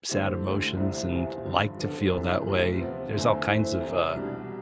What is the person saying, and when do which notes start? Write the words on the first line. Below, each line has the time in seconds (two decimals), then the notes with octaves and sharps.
sad emotions and like to feel that way. There's all kinds of, uh
0.09 D3 A3 C4 E4 G4
0.44 D2 D3 A3 E4
0.76 C2 C3 F3 A3 E4
1.10 E2 C3 F3
1.44 G2 D3 F3
1.78 D3 F3 B3 D4 A4
2.11 C2 C3 E3
2.45 D2 C3 F3
2.79 C3 F3 B3
3.13 E2 D3 A3 C4
3.47 E3 A3 C4
3.80 C2 C3 E3
4.14 C2 B2 G3 D4